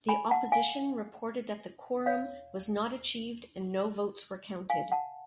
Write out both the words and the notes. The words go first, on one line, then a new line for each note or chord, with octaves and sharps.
The opposition reported that quorum was not achieved and no votes were counted.
G#5 B5
F#5 A5
F5 G#5
C#5 F5
F5 G#5
F#5 A5